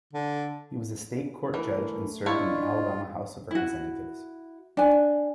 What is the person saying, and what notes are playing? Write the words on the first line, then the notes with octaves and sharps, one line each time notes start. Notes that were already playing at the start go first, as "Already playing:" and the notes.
He was a state court judge and served in the Alabama House of Representatives.
D3
E3 A3 A#4
D4 E4 F4 C#5 D#5
E4 F#4
D4 G#5